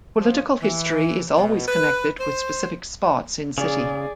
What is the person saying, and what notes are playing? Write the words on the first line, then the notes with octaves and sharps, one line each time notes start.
Political history is always connected with specific spots in city.
F3
E3
B2
B4
C5
C#3 G#4 D5